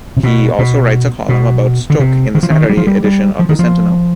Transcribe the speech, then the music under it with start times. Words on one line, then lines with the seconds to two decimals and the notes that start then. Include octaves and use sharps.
He also writes a column about Stoke in the Saturday edition of "The Sentinel".
0.17 C3
0.23 B2
0.59 B2
1.29 B2
1.90 D3
2.00 C3
2.35 D#3
2.43 F3
2.50 D#3
2.69 G3
2.77 F3
2.87 G3
3.04 G3
3.39 F3
3.49 D#3
3.59 F3